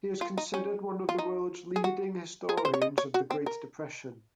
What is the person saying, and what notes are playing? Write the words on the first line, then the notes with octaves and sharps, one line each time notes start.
He is considered one of the world's leading historians of the Great Depression.
F4
D#4
C#4
F4
D#4
G#4
F#4
G#4
A#4
C5
C#5
D#5
C#5
F#4
C4
A#4